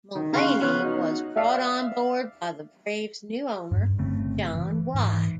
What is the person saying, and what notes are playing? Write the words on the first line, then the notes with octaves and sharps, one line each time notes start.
Mullaney was brought on board by the Braves' new owner, John Y.
D#3
C#3 F5 C6 C#6 F#6
B3 C#5 F6 F#6
D#4 F#4
D5 E5 F5
G2
G1 C#3 A3 C4
E3
G#2 E3